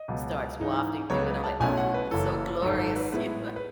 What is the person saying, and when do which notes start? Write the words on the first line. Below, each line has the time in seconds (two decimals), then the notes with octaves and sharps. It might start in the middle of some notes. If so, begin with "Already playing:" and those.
starts wafting through and I'm like, "Oh, it's so glorious." You know?
Already playing: D#5
0.08 C#2 B2 F#3
0.59 G#2 E3 G#3 D#4
1.10 C#2 C#3 F#3 B3 C#5
1.26 B4
1.44 A5
1.60 B1 B2 A3 C#4 E4 G#5
1.77 F#5
1.94 B4
2.11 F#1 F#2 E3 A4
2.62 G#1 G#2 F#3 A4
2.79 A4
2.96 B4
3.12 A2 G#3 B3 E4 B4
3.56 B4